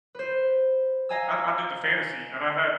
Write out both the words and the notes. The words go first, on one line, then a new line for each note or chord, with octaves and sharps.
I d I do the fantasy, and I had
B4 C5
D#5 F5 G#5 A#5 E6